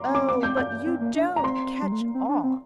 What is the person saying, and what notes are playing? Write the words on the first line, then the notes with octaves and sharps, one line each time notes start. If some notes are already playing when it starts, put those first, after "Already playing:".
'Oh, but you don't catch on.
Already playing: A#5 C6 D6
C4
D6
D6
G6
G6
C4
A#3
D4
A#5
C4 C6
G3
A3
A#3
C4
D4
C4